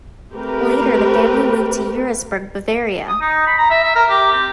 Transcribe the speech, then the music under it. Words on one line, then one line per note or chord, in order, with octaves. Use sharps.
Later the family moved to Eurasburg, Bavaria.
A3 C4 G4 A#4 B4
D#6
D#4
B5
A#5
E5
E5
A#4
G4
C4